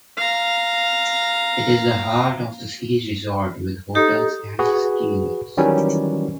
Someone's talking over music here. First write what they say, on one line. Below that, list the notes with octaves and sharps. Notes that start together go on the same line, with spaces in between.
It is the heart of the ski resort with hotels and ski lifts.
F5 A#5
D#4 G4 A4
F#4 G#4 B4
D#3 E3 F#3 G3 C#4